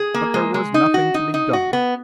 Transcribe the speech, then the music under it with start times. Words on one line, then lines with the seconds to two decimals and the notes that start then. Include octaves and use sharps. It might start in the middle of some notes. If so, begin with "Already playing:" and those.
But there was nothing to be done.
Already playing: G#4
0.14 A#3
0.34 G#3
0.54 G#3
0.74 D#4
0.94 F#4
1.14 D#4
1.34 D#4
1.53 F#4
1.73 B3